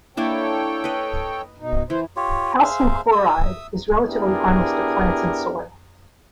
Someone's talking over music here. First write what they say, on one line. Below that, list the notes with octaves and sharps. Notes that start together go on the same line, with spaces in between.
Calcium chloride is relatively harmless to plants and soil.
A#3 D4 E4 A4 C#5 G5
B4 D#5
B2 D#4
E3 C5
F4 G4 C#5
G#4 C5 E5 F5
E5 D#6 E6
B3 D4 E4 G4 G#4 A#4